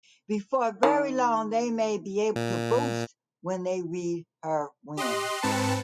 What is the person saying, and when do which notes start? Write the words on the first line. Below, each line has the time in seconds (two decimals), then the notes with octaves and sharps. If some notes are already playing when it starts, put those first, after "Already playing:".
Before very long they may be able to boast that they read her when.
0.83 D#3
2.36 A#2
4.97 G4 D#5 C6 F#6
5.42 G#2 C4 B4 A5 C#7